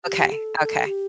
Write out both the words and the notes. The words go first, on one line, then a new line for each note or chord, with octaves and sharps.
Okay, okay.
G4
A4
A4
G4